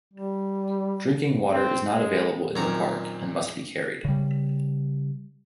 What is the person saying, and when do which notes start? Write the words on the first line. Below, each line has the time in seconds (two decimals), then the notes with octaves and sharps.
Drinking water is not available in the park and must be carried.
0.14 G3
1.54 C4
1.90 G#3
2.56 F#2 A#2 D#3 C4 A#5
4.05 C#3 G3